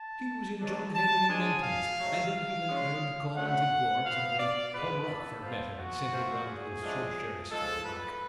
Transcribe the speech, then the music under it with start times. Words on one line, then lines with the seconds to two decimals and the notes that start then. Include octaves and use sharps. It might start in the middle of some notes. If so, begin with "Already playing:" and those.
He was in John Henry Menton's and then he went round to Collis and Ward's and then Tom Rochford met him and sent him round to the subsheriff's for a lark.
Already playing: A5
0.60 B2 F#3 A3 D4 A5
0.95 A5
1.29 G#2 G#3 D4 G#5
1.63 F5
1.98 G#2 F#3 A3
2.33 F5
2.67 D3 G#3 C#4 F4
3.36 A2 F#3 A3 C#4 F#5
4.05 F3 B3 F4 F5
4.39 D5
4.74 G#2 G#3 B3 F4 B4
5.08 A4
5.43 F3 B3 F4
5.77 F#4
6.12 F3 A3 F4
6.46 G#4
6.81 A2 F3 G#3 D4
7.50 G#2 F3 G#3 A4
7.85 B4